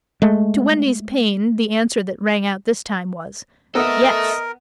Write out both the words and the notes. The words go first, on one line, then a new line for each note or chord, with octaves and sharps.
To Wendy's pain the answer that rang out this time was "Yes."
G#3 A3
B3 A4 A#4 D#5 E5 F#5 D#6